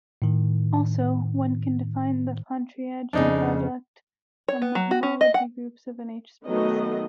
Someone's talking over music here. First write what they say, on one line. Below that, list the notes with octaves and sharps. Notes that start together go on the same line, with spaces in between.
Also, one can define the Pontryagin product on the homology groups of an H-space.
A2 D#3
F2 C#3 D4 D#4
C#5
B3
F#3
F#4
C#4
D#5
F#5
D#3 F#3 A3 B3 D#5